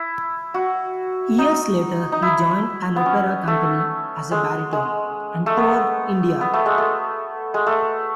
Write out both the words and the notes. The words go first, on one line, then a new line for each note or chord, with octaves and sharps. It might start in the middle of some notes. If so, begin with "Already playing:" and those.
Years later he joined an opera company as a baritone, and toured India.
Already playing: E4
F#4
D#4
D#4
E4
B3
C#4
A3
G#3
G#3
A3
B3
B3
A3
G#3
A3
G#3
A3